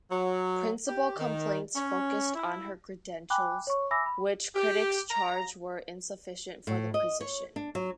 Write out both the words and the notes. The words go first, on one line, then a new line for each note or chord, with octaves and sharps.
Principal complaints focused on her credentials, which critics charged were insufficient for the position.
F#3
G4
D#3
C#4
E4
G5 G#5 B5 D6 F#6
C#5 C#6
E5 G#5 B5 D6 E6 A#6
B5
G4
A#5
A2
D#5
C#5
D4
F#3